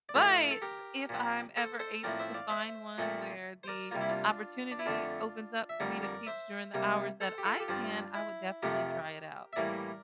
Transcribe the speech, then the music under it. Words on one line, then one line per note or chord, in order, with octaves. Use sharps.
but, if I'm ever able to find one where the opportunity opens up for me to teach during the hours that I can, I would definitely try it out?
D5
A2 F3 A3 A4 C5
A4
G4 A#4
A#2 F3 C4
A4 C5
A4 C5
A2 F3 C4 A#4 D5
C5 E5
D5 F5
C5 E5
A#2 F3 A3 C4
C5
A#4 D5
C3 G3 A#3 F4
E4
D4 F4
D4
E4
F2 D3 A3 D4 F4
E5
F2 D3 G3 A#4 D5
A#4 D5
C5 E5
C3 G3 A#3
A4 C5
G4
F4 A4
G4
G2 F3 C4 D4 F4
E4
F2 C3 F3 A3 G4 A#4
E5
A2 E3 G3 A#3 A#4 D5